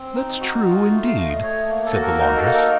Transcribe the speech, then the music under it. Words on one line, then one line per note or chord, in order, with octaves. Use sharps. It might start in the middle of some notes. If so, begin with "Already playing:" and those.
"That's true, indeed!" said the laundress.
Already playing: C4
D#4
F#4
F4
A3
F5
A3 D#5
D#5
A3 C#5
A#3
A4
F#4
A#4
D#4 A#4
A4
A#3
A#4